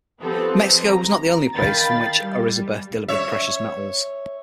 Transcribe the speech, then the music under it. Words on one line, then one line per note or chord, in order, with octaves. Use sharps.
Mexico was not the only place from which "Orizaba" delivered precious metals.
F3 B3 C4 G4 A4 B4
A#5
D#3 F5 G5 A5 B5 A6
G3
C#5 E5